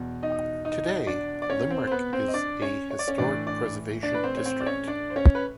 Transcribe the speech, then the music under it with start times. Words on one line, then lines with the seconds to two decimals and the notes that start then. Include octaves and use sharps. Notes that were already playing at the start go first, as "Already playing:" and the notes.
Today, Limerick is a historic preservation district.
Already playing: E2 B2
0.23 D#4 D#5
0.65 D#4 D#5
1.07 D4 D5
1.42 D5
1.50 C#4 C#5
1.70 C4 C5
1.87 C5
1.91 B3 B4
2.13 C4 C5
2.28 D#5
2.34 D4 D5
2.62 C#4 C#5
2.91 C#5
2.99 D5
3.08 C#4 C#5
3.18 A2 E3 D4 D5
3.47 D4 D5
4.03 D4 D5
4.14 B4
4.24 C4 C5
4.37 C#5
4.46 C4 C5
4.60 D5
4.66 C#4 C#5
4.87 D4 D5
5.10 C5
5.16 C#4 C#5
5.35 B4